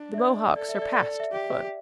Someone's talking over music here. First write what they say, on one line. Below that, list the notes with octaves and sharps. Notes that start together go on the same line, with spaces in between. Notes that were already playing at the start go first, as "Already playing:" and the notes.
The Mohawk surpassed the Fun.
Already playing: D4
E5
D5
A4 D5
E5
D5
D5
D5
E5
G4